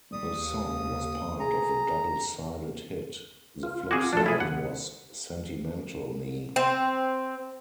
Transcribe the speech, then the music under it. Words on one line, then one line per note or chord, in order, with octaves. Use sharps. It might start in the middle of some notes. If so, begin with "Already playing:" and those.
The song was part of a double-sided hit; the flip side was Sentimental Me.
G3 D#6
D#2
G#4 A#5
F4
C4 F#4 G#4 D6 G#6
F3 F#3 A3 D4 A4
E4 G#4
D#2 F#5
C4